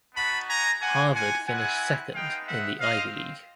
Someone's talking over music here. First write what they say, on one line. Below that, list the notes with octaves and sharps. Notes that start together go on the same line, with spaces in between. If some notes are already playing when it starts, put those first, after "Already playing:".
Harvard finished second in the Ivy League.
B3 D#4 F#4 A5 B5
G#5 A#5
A#3 D4 F4 F#5 G#5
F#5 G#5
G3 C4 E4 F#5 G#5
G#3 B3 D#4 F5 G5
E5 F#5
C4 F4 D#5 F5